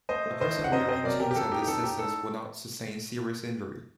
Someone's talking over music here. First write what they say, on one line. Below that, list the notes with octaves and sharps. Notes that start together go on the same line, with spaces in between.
A person wearing jeans at this distance would not sustain serious injury.
A3 C5 D#5
A3
A2 C5 D#5
D4
F#5
F#2 C5 D#5
C4 C5 D#5
F#3 A#4 D5
F#2 G4 A#4
G4
F#2 A4
D#4 G4
G4
F#2 A4
D#4 G4
A2 A4